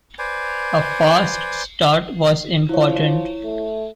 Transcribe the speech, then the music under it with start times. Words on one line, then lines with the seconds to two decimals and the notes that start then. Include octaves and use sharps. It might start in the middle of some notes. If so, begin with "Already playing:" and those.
A fast start was important.
0.19 B4 C5 D5 G#5
2.69 F3 E4 C#5
3.43 A3